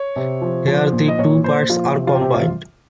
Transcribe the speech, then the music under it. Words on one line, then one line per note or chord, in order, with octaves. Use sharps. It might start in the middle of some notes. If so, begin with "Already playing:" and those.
Here the two parts are combined.
Already playing: C#5
C3
F3
F3
A#2
D#5
A#2 C#5
A#2 C5
F3 F4
C3
F4
G4
C3
F4